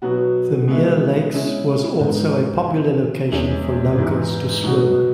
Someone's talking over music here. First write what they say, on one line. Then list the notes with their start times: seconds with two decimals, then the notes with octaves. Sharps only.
Thirlmere Lakes was also a popular location for locals to swim.
0.02 B2 F#3 B3 F#4
0.68 B2 G#3 B3 E4
1.34 C#3 G#3 C#4 E4
2.00 G#2 G#3 B3
2.65 E3 B3 E4
3.32 E2 C#3 G#3 C#4
3.97 G#2 E3 G#3 B3
4.64 B2 F#3 B3 F#4